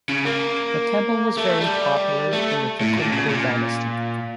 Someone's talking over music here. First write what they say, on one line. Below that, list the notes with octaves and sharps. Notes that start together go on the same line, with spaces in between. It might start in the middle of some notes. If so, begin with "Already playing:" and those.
The temple was very popular in the Thekkumkur dynasty.
C#3
A#3
A3
G3
A3
A2
A#2
C#3
A#2